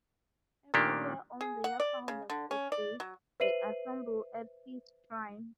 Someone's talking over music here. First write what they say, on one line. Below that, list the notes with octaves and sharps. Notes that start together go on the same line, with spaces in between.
Every year on their founder's birthday they assemble at his shrine.
A#2 D#3 A3 A#3 D4 G4
G#4
F#5
D5
C#3
D3
C#4
D5
F#3
B4 C5 E5 C7 D#7 F#7